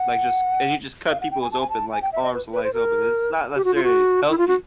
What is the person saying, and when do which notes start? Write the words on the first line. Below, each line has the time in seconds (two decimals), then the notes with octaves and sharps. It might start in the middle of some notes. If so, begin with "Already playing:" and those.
Like, just and you just cut peoples open like, arms and legs open, it's not, necessarily as healthy.
Already playing: F#5
1.11 F5
1.21 F#5
1.31 G5
1.41 G#5
1.52 A5
1.60 G#5
1.70 A5
1.92 G#5
2.02 G5
2.13 E5
2.23 D#5
2.33 B4
2.53 B4
2.63 C5
2.74 A#4
3.56 G4
3.64 F#4
3.75 F4
3.83 F#4
4.30 E4
4.38 F4
4.48 F#4